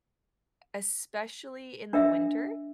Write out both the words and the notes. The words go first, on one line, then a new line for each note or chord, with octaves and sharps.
especially in the winter,
D4 A#4 D#5 E5